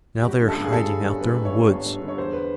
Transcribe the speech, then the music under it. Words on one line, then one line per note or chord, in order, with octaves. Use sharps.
Now they are hiding out there in the woods.
G4
G1 F#4
D3
A4
G2
G#4
G2 A4
D3
G1
F3 B4
G2
C#5
G1
G1
G1
D3
C#5
E2 C5
B4